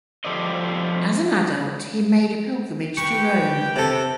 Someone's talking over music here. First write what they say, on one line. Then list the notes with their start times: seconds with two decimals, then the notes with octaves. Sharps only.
As an adult he made a pilgrimage to Rome.
0.25 F3 G4 A4 C5 D5 D#5
2.97 G4 B4 G5 C#6
3.76 C3 A4